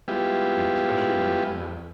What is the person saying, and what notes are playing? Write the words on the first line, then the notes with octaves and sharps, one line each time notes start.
Like, especially like the
G3 G#3 B3 E4 F4 G4